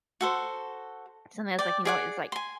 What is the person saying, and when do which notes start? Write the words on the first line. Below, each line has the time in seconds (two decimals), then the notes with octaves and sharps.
sometimes, like, you know, it's, like,
0.21 F#4 A4 C5
1.59 D5 G5
1.85 G#4 D5 F#5
2.32 G#5 C6